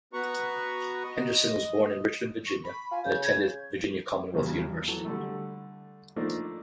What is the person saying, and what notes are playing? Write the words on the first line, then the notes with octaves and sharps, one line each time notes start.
Henderson was born in Richmond, Virginia and attended Virginia Commonwealth University.
B3 F#4 B4 A#5 C#6
D#5
C#6
B5
F4 G#5
C#3 G6
G#6
G#1 E2 G2 C#3 G3
E3 F#3 A4
D3 G3 A3
F3 A3 A#3 D4 D#4